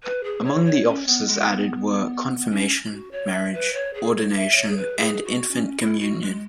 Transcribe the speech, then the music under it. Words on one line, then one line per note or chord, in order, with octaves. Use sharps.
Among the offices added were confirmation, marriage, ordination, and infant communion.
B4
G#4
C#5
C#5
C#4
B3
G#3
B3
C#4
F#4
C#5
E5
B4
C#5
G#4
E5
C#5
G#4
B4
G#4
F#4
C#4
E4
F#4
G#3